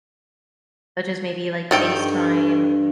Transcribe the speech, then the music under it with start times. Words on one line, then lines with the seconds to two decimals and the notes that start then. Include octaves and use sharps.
such as maybe, like, FaceTime
1.71 G2 D#3 A4 G5 C#6